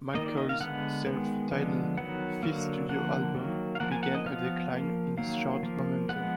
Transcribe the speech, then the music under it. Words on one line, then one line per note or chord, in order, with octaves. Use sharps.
McCoy's self-titled fifth studio album began a decline in his chart momentum.
D#3 A#3 D#5
D5
D#5
F5
D3 G#3 B3 F#5
D#3 G#3 B3
D3 F3 G#3 B3
D#3 F#3 B3 F#5
D3 F#3 A#3
D3 F3 A#3 F#5
D#3 F#3 A#3
F5
F3 A#3 F#5
G#5
F#5
D#5
F3 B3 F5
F3 A#3
D#3 F#3 A#3 F5
F3 A#3
F3 G#3 B3 F#5